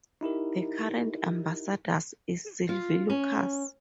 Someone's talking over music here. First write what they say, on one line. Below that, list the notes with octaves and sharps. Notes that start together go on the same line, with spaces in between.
The current ambassador is Sylvie Lucas.
D#4 E4 G4 A#4
F4
C#4